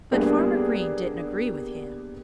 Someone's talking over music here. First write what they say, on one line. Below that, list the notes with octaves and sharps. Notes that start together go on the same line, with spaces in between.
But Farmer Green didn't agree with him.
G3 A#3 B3 D4 G#4